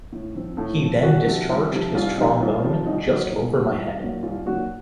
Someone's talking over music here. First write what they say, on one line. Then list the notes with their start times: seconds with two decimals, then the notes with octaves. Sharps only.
He then discharged his trombone just over my head.
0.12 A2
0.35 F3 C4
0.57 A2 A4
0.80 F3 C4
1.03 C2 F#4
1.26 C3 F3
1.49 C2
1.72 C3 F3
1.95 C2 F4
2.17 C3 F3 D#4
2.41 C2 F4
2.64 C3 F3
2.86 C2 D#4
3.08 A#2 F#3
3.32 C2
3.54 A#2 F#3
3.77 C2
4.00 A#2 F#3
4.23 C2 F4
4.46 A#2 F#3 F#4